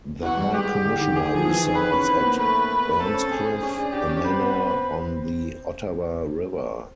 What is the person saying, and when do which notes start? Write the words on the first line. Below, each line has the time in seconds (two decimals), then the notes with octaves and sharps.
The High Commissioner resides at Earnscliffe, a manor on the Ottawa River.
0.23 E3 F#4
0.37 G3
0.53 G#3 G4
0.84 D3
1.00 D#3
1.16 G#4
1.35 F3
1.46 E3
1.61 D#3
1.76 B4
1.92 C#4
2.05 C4
2.16 B3
2.27 A#3
2.39 A3 B4
3.00 C4 A4
3.14 C#4
3.27 C4 G#4
3.63 C#4
3.78 D4
3.93 D4 G4
4.09 C#4
4.24 C4 B4
4.40 B3
4.55 C4